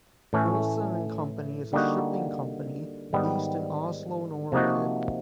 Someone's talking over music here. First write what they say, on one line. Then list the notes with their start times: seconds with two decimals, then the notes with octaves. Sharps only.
Olsen and Company is a shipping company based in Oslo, Norway.
0.33 A2 E3 A3 C#4
1.73 D3 G3 A#3 D#4 F#4
3.13 G#2 D#3 G3 B3
4.52 C3 F3 A#3 D#4 F#4